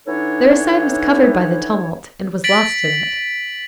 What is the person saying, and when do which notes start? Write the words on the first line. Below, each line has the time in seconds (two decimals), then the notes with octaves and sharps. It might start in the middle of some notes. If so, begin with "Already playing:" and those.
Their aside was covered by the tumult and was lost in it.
0.07 E3 B3 D4 D#4 A4 C#5
2.44 A6 B6 D7 F#7